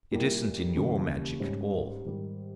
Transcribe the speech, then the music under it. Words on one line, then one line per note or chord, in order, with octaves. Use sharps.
It isn't in your magic at all.
A#2 G3 A#3 E4 G4
D#2 C#3 E3 G3
G#2 G3 C#4
G#2 D#3 G3